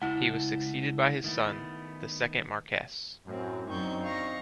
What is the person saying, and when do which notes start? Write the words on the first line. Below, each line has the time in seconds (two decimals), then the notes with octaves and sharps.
He was succeeded by his son, the second Marquess.
0.02 C#2 A3 E4 A4 F#5
1.24 D#3 A3 B3
3.26 F#2 A2 C4
3.68 F#2 C4 D4 D#4 C#6 G6
4.03 F5 C#6 A#6